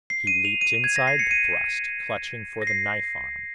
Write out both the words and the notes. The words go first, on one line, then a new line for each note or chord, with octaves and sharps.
He leaped inside the thrust, clutching for the knife arm.
C7
D#7
F7
D#7
G#6
A#6
C7
C#7
D#7
A#6
C7